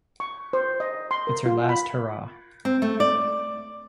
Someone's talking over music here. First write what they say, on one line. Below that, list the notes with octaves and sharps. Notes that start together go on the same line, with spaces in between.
It's her last hurrah.
C#6
C5
D#5
C6
A#4
F4
B5
C4
A3
D5